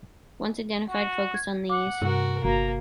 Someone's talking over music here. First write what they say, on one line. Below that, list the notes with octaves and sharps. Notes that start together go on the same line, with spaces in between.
Once identified focus on these.
F#4
G#6
F#5 D6
G2 C3 F#4 A#4
G1 A#3 F#4 A#5